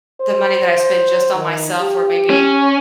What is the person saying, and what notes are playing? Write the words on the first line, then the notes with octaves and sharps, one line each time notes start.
the money that I spend just on myself where maybe
C5
D#3
G4
C#4